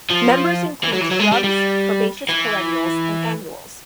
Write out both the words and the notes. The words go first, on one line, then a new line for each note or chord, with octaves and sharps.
Members include shrubs, herbaceous perennials, and annuals.
F3
E3
F#3
E3
F#3
G#3
G3
G3
E3